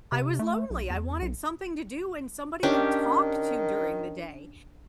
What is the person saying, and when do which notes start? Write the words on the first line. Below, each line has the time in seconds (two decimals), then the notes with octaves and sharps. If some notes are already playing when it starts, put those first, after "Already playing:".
I was lonely, I wanted something to do and somebody to talk to during the day,
0.12 C3
0.39 A3
0.70 B1
0.90 E2
1.22 B1
2.63 D#3 C#4 D4 G4